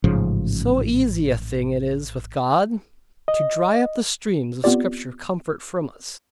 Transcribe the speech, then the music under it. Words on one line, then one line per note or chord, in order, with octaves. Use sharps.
So easy a thing it is with God to dry up the streams of Scripture comfort from us.
A1 G#2 C#3 F3
D#5
B3 C4 F4 G4 D5